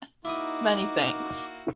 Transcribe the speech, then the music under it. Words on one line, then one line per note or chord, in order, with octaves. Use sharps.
Many thanks.
A#3 D#4 E4 F#4 D6 D#6